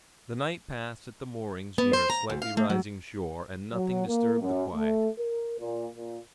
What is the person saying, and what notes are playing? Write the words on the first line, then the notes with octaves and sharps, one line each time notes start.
The night passed at the moorings near a slightly rising shore, and nothing disturbed the quiet.
B3
C5
A#5
D2
F5
A3
F#3
F#3
A#3
F#2
A3
A#4
A#2
A#2